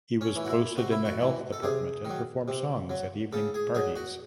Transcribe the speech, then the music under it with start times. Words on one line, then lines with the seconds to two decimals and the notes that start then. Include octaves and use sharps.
He was posted in the health department and performed songs at evening parties.
0.21 C#4
0.35 E3
0.45 F#4
0.49 E4
0.77 C3 F#4
0.91 E4
1.05 F#4
1.21 E3
1.52 A4
1.62 C3 G#4
2.05 D#3 F#3
2.48 C3
2.90 F#3
3.33 C#3 A4
3.54 G#4
3.75 F#3 G#4
3.96 F#4